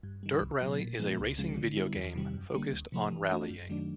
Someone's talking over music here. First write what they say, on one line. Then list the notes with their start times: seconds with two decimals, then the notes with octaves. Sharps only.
"Dirt Rally" is a racing video game focused on rallying.
0.03 G2
0.23 D#3 G3
0.41 C2
0.61 B2 F#3 B3
0.80 A#2
1.00 F3 G#3 B3
1.19 C#2
1.38 C#3 F3 G#3
1.58 D3
1.77 G3 B3 E4
1.96 E2
2.15 C3 D#3 G3
2.34 F#2
2.54 D3 G3 A#3
2.73 D2
2.92 C3 F3 A3
3.12 E3
3.31 A3 D4 F#4
3.50 F#2
3.70 D#3 F#3 A3 D4